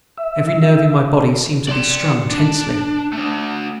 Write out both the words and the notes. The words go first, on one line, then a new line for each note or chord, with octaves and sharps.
Every nerve in my body seemed to be strung tensely.
E5
D5 C6
D4
A3 D4